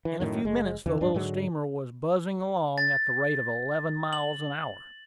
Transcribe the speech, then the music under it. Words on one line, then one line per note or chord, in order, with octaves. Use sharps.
In a few minutes, the little steamer was buzzing along at the rate of eleven miles an hour.
E3
F#2 A2 C3 D#3
F#1 G#3
E2 C#3 E3
D1 G2 D4
G#2 D3 F#3 G#3
A6
F#7